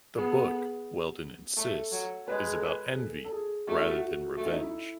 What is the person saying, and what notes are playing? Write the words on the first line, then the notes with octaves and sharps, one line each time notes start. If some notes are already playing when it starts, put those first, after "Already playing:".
The book, Weldon insists, is about envy, rather than revenge.
B3 G#4
A4
G#4
A3 A4
F#3
G#3 B4
G#4
A4
B4
G#4
A4
A4
G#4
A3 F#4
E4
F#4
F#4
A3 F#4
E4
D#4
E4